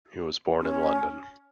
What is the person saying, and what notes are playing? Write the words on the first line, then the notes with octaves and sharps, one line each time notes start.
He was born in London.
C#4